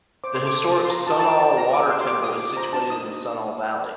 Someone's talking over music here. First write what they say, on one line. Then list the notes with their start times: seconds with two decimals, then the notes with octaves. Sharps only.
The historic Sunol Water Temple is situated in the Sunol Valley.
0.24 C5 D6
0.35 C6
0.40 A4
0.46 D6
0.56 A4
0.74 F4
0.85 C6
0.90 F4 A#5
1.07 F4 A5
1.19 A5
1.23 C5 G5
1.39 C5 A5
1.57 A#4 A#5
1.73 A#4 D6
1.90 G4 C6
2.01 C6
2.07 G4 D6
2.23 C5 D#6
2.40 F4 D6
2.56 C5 A#5
2.73 D4 A5
2.89 D#4 D#6